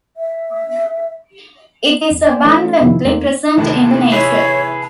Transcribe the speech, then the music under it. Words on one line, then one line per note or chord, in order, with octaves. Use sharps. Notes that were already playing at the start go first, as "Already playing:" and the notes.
It is abundantly present in the nature.
E5
E2
C5 D5 G5 G#5
E3 A3 C#4
F2 C3 D#3 F3 E4
E2 A3 A#3 C4 D#4
D#2 A2 C3 E3 A5
E4 G#4 B4 C#5